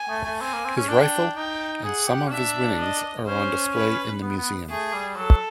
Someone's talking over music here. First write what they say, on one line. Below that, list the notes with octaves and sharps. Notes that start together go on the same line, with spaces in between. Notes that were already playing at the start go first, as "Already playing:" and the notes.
His rifle and some of his winnings are on display in the museum.
Already playing: G#5
A3
A3
C4 G#5
A#3
C4
C#4
D4 G5
D#4 G5
G#4 F#5
G4
C#4
D4 E5
D#5
C#4 C5
B4
B3
B3
A3 G#4
G3
F#3 A4